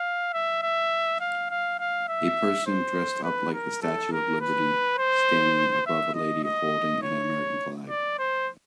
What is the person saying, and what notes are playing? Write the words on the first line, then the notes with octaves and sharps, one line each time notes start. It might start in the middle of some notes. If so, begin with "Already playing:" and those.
A person dressed up like the statue of liberty standing above a lady holding an American flag.
Already playing: F5
E5
E5
F5
F5
F5
E5
C5
B4
A#4
A4
A#4
B4
C5
E5
D#5
D#5
C#5
D5
C5